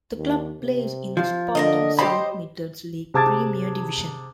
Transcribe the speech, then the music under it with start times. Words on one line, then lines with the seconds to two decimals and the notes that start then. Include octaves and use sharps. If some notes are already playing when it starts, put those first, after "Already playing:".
The club plays in the Spartan South Midlands League Premier Division.
0.17 D#2
0.61 C3
1.17 F3
1.55 D3 A#4 C5 D#5
1.99 G4 C5 C#5 D#5 B5
3.14 C3 G#4 A5 D6 G#6 A6